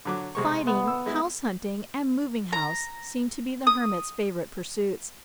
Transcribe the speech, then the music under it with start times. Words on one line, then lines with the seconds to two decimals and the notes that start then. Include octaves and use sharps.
Fighting, house-hunting, and moving house seem to be the Hermit's favourite pursuits.
0.05 D3 F#3 D6
0.35 C3 G#3 C#6
0.67 B3
0.88 E6
1.06 G#3 E4
2.53 A#5
3.67 D#6